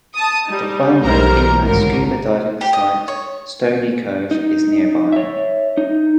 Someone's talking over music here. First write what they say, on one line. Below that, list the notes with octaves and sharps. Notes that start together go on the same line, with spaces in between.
The well-known inland scuba diving site Stoney Cove is nearby.
A5 D#6
G3 D#4
B1 E2 G3 A#4 C5 A#5
G#1 C#2 A2 D3 A#4
G4
D#5
C#5
D#4
C#5 E5
D#4